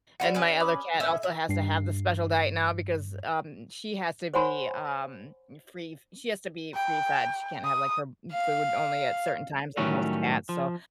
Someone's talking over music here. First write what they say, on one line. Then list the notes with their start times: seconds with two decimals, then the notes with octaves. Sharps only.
and my other cat also has to have the special diet now, because, um, she has to be, um, free she has to be free fed. She can't have, like, her m food only at certain times like most cats, so,
0.20 G3 E4 F#4 D5 F#5
0.35 C#4 B4
0.60 B5 D6 D#6
1.00 A2 C#4 E5
1.23 E5
1.49 G2 C7
4.34 C5 C#5 F#5 G#5 B5 C6
6.75 G5
7.65 D#6
8.33 F5
9.77 A2 D#3 F#3 G3 C#4 F#4
10.49 F3